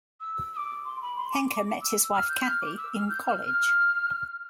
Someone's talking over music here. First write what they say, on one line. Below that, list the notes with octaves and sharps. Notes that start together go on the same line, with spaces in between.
Henke met his wife Kathy in college.
E6
E6
D6
C6
B5
C6
D6
D6
E6
F6
G6
F6
D6
E6
F6
G6
F6
F6